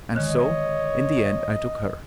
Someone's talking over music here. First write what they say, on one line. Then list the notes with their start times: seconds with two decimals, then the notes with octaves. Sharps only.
And so, in the end, I took her.
0.15 D3 D#3 G#3 C#5 D#5